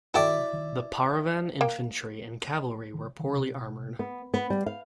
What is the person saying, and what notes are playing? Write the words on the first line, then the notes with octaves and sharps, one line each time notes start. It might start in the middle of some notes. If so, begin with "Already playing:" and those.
The Pauravan infantry and cavalry were poorly armoured.
E4 F#4 A4 D5 E5 G5
A#3 G5
B3
B3
G3
F5